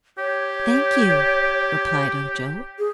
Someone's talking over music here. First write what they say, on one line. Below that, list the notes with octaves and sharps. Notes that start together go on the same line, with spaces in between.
"Thank you," replied Ojo.
G4 C#5
G#4